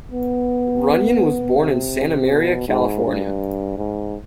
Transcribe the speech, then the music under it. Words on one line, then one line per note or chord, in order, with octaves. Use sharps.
Runyan was born in Santa Maria, California.
B3
C3
B2
G#2
G2
G#2